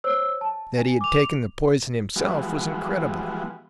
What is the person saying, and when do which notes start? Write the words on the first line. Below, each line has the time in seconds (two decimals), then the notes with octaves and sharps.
That he had taken the poison himself was incredible.
0.04 C5 C#5 E6
0.41 A5
0.78 G#5
1.01 D6 F7
2.16 E3 F3 G3 G#3 B3 F#4